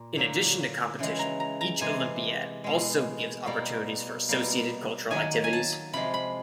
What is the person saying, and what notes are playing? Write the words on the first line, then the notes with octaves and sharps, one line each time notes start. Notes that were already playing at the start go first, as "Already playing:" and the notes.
In addition to competition, each Olympiad also gives opportunities for associated cultural activities.
Already playing: A#2
D3 F#3 A#3
C#3 E3 G#3
A#5
A#5
A#5
C3 E3 G#3 G#5
B2 G#3
B2 G3 A#3
B2 G3 A#3
D#3 F#3 A#3 G#5
G#5
A5
C3 F3 G#3 B5
B5